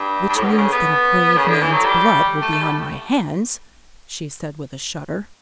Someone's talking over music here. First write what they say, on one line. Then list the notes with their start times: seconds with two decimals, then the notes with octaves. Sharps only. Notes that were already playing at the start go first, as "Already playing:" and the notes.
"Which means that a brave man's blood will be on my hands," she said, with a shudder.
Already playing: G2
0.29 G2
0.36 A2
0.44 B2
0.51 D3
0.58 C#3
0.72 B3
1.37 C#3
1.48 D3
1.62 E3
1.73 F#3
1.85 G3
2.42 A3
2.52 A3
2.62 G3